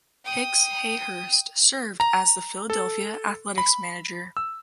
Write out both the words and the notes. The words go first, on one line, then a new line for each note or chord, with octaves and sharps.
Hicks Hayhurst served as the Philadelphia Athletics manager.
G5 D#6
A#5
A4
B5
E6